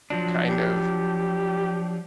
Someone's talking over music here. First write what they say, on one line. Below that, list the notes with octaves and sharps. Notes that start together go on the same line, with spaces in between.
kind of
F3 F#3 D4
G4